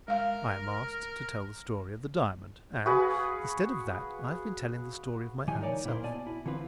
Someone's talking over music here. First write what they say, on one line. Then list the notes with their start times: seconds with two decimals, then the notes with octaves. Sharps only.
I am asked to tell the story of the Diamond and, instead of that, I have been telling the story of my own self.
0.08 G#3 A#4 F5
2.86 F#4 G#4 B4 F5
5.48 D#3 F3 G3 E4 G#5
5.61 D#4 A#4 C#5 D5
5.85 A#2 E4 F4 A#4 C5
6.03 B2 D5 G#5 A5
6.27 E4
6.46 D3 E3 C4 F4 B4